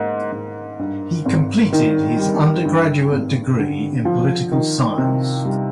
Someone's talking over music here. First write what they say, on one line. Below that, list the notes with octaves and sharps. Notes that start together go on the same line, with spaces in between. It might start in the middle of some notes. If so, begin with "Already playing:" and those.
He completed his undergraduate degree in political science.
Already playing: G#2 A#3
G#2
G2
G#1
D#3
G3
G2
G#1
D3
F3
D#3
C3
G3